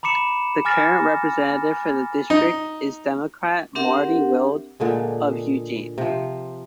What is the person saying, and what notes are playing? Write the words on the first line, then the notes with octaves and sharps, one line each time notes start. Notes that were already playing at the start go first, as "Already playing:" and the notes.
The current representative for the district is Democrat Marty Wilde of Eugene.
A#5 B5 D6 C#7 E7
G#5 D6 F6 A6 A#6
D#4
C4 D4 G4 A#4 E5 F#5
A#2 D3 G#3
C3 F3